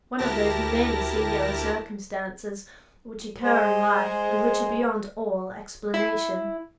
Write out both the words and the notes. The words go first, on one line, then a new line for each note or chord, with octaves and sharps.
"One of those many singular circumstances which occur in life, and which are beyond all explanation."
D2 E4 G4 A#4 A5 A#6
G#3 C5
E4